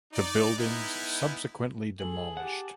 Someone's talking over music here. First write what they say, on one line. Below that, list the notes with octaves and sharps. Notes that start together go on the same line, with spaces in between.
The buildings subsequently demolished.
D#4 D5
G#3 B3 D#4 E4
G#4 A4 F#7
G4 F#5 A5